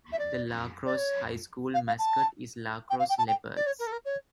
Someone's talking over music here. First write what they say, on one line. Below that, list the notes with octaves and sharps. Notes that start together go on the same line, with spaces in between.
The LaCrosse High School mascot is LaCrosse Leopards.
E5
D5
D5
C#5
F5
F5
A5
G5
F5
G5
A5
G5
D5
C#5
A#4
A4
A#4
C#5